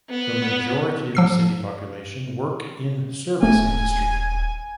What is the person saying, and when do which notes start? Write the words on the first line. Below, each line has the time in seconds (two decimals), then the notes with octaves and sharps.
The majority of the city population work in service industry.
0.10 B3
1.15 F3 E6 C7
3.43 D#1 A3 G#5